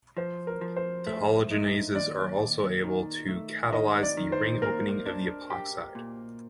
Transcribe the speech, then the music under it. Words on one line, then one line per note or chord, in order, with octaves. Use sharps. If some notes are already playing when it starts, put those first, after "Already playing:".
Dehalogenases are also able to catalyze the ring-opening of the epoxide.
F3 C5
A#4
F3
C5
A3
D#4
D#2 D5
D#2
D#3
A3
D#3 D#5
D5
D#3
C5
A#3 A#4
D4
G4
A#2